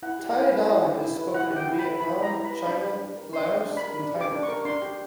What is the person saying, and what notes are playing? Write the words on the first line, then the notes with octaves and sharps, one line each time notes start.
Tai Dam is spoken in Vietnam, China, Laos, and Thailand.
E4 F#5
G4
E4
B4
E4
G4
E4
B4
E4 F#5
G4
G5
E4
B5
B4
E4 B5
G4
A#5
E4
B5
B4
D4 B5
G4
D4
A#4
D4 C6
G4
D4
A#4 B5
D4
G4 D6
D4
C#6
A#4
D4 C6
G4